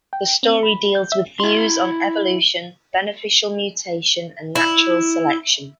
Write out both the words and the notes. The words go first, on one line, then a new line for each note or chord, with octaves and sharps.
The story deals with views on evolution, beneficial mutation, and natural selection.
G5
C4
B5
G6
E5
E4 C6
E4